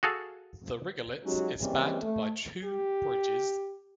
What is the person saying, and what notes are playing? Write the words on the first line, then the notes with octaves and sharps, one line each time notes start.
The Rigolets is spanned by two bridges.
F#4 G#4 A4 F5
F#3 G#3 C#4 D#4 F#4 G4
E3 G3 G#3 A#3 C4 C#4
A3
G4